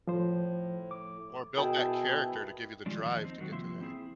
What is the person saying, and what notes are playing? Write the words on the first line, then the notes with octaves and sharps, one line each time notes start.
Or built that character to give you the drive to get to there.
A2 F3 C5
D6
B2 E4 G#4 A#4 G5 A5
D#3 F3 G3 G#3 D4
D#2 F3 G3 A#3 D#5 A5
C4 D#4
D#3 F#3 A#3
C2 C3 F3 A#3 E5 C6
C4 E4 G#4